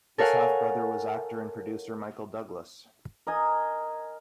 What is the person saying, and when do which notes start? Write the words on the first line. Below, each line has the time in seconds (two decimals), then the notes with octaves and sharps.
His half brother was actor and producer Michael Douglas.
0.18 A4 A#4 C#5 F5 F#5 G#5
3.27 A#4 D#5 G#5